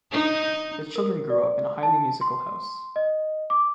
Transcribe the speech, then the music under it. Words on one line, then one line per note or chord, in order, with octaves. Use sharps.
The children grew up in a highly musical house.
D#4
A#4
D5
A5
C6
D#5
D6